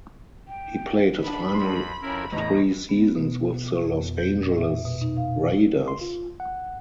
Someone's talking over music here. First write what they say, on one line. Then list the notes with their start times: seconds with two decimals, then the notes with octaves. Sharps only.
He played his final three seasons with the Los Angeles Raiders.
0.48 G5
1.22 D4 B5
1.54 F2 C6
2.02 F2 C#4 E4 A#4
2.32 E2 A2 D#5 A#5
2.89 B3
3.15 B2
3.84 F2
4.17 G6
4.43 A#2
4.58 E5
4.85 B2
5.01 D#4
5.17 F5
5.88 C6
6.01 F4
6.40 F#5